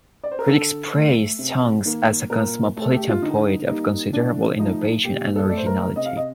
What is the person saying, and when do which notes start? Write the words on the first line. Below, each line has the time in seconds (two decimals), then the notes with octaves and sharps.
Critics praised Tonks as a cosmopolitan poet of considerable innovation and originality.
0.23 D5
0.31 C5
0.39 A#4
0.47 D3 A4
0.93 A3
1.39 C3
1.85 D#3 A#3
2.30 A#2 A#4
2.77 A3
2.82 A4
2.96 G4
3.09 F4
3.22 D3 D#4
3.67 G3 A#3 D#4
4.13 A2 D4
4.58 F3 A3 D#4
5.04 A#2 G4
5.36 A4
5.49 A3 D5
5.57 C5
5.66 A#4
5.96 C3 D#5
6.05 F5
6.17 D#5